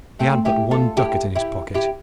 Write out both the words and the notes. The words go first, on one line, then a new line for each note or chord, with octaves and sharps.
He had but one ducat in his pocket.
A3 C4
E4 G4
F4 A4
E4 G4
E4 G4
E4 G4